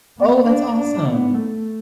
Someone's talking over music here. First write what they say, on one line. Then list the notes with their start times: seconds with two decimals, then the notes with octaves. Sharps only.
Oh, that's awesome!
0.19 B3
0.47 D4
0.77 D4
1.05 B3
1.34 A3